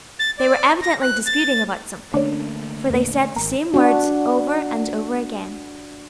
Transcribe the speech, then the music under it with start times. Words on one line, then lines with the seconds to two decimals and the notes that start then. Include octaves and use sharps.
They were evidently disputing about something, for they said the same words over and over again.
0.19 A6
0.38 D5
0.82 A#6
1.02 F#6
1.26 A6
2.14 D3 A3 A#3 C#4 D4
2.90 E2 A#2
3.36 G#1 A#4
3.74 D4 F#4